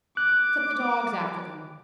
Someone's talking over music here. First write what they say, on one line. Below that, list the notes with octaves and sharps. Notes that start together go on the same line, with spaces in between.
'Set the dogs after them.'
D6 F#6